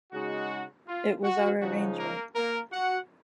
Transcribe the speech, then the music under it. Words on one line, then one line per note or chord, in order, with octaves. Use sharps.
It was our arrangement.
C#3 G#3 D#4 F#4
F4
F#4
C#3 F3 G#3 D#4 F#4
A#3 A#4
A#3 A#4
F#4 F#5